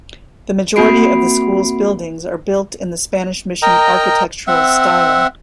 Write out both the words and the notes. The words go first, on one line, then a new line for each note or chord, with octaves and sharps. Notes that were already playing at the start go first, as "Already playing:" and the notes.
The majority of the school's buildings are built in the Spanish Mission architectural style.
A#3 C4 F#4 B5 C7 D7
A#4 D#5 G5 A#5
C4 E5 F#5